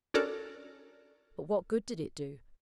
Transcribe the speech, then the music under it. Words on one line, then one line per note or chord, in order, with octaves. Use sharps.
But what good did it do?
C#4 D4 F#4 A4 A#4 D5